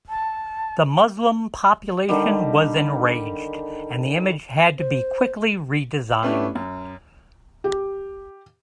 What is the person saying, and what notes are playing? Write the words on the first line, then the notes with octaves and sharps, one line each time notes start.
The Muslim population was enraged and the image had to be quickly redesigned.
A5
D3 D#3 G3
C5
A3 B3 C#4 D4 E4 G4
F#2
G4